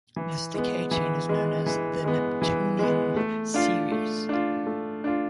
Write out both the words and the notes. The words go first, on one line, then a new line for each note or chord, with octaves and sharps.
This decay chain is known as the neptunium series.
E3
G#3 B3
E3
G#3 B3
E3
G#3 B3
E3
G#3 B3
A3
D4 F4
A3
D4 F4
A3
D4 F4